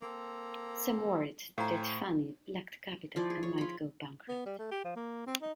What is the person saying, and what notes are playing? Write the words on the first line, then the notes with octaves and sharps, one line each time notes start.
Some worried that Fannie lacked capital and might go bankrupt.
A#3 C4 A4
A2 C5 F5 G5 G#5 A#5
F3 E4 D5
G#4
C#5
F4 B5
B3
G3
A3
G4
F3
A#3
C4
D#4